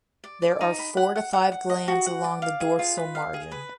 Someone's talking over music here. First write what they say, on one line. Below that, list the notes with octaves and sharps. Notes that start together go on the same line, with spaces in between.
There are four to five glands along the dorsal margin.
D5
D5
D#4
B5
F#5
F#5
F#5
F#5
D#5
F#4
F#5
D5
F5
G#4
F4
B4
F5
G#4
B4